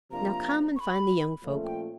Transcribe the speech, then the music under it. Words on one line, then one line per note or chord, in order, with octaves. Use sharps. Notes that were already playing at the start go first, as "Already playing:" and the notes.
Now, come and find the young folk.
C3 F3 A#3 D4 F4 A#5
C#6
B5
A#2 F3 A3 C#4
G5